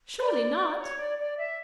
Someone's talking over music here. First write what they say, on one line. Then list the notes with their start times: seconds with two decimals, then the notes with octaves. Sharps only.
"Surely not?"
0.22 D5
0.79 C#5
0.98 D5
1.17 D5
1.37 E5